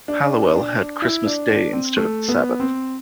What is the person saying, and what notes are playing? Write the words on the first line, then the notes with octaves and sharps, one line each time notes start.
Halliwell had 'Christmas Day' instead of the Sabbath.
D4
D4
E4
D4
D4
C4
A3
B3
C4